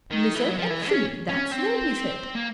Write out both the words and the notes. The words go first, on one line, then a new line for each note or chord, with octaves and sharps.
"Blizzard and Finney, that's them," he said.
D#3
E3
F#3
F3
E3
G#3
D4
C#4
C#4
C4
A#3